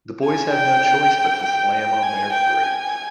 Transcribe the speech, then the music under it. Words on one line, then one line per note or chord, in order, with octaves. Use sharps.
The boys had no choice but to slam on their brakes.
G#5
G5
G5
G5
G#5
G5
G#5